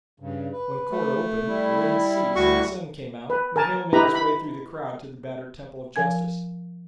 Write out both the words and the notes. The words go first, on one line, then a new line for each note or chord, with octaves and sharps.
When court opened, the rain ceased, the sun came out and Hale made his way through the crowd to the battered temple of justice.
G2 C#3
B4
A3
G3 E4
D2 F#4 C#6
B4
A#4 G#5 A5
D#4 E4 G4 B4 A#5 B5
B5
F3 A#4 G#5 G#6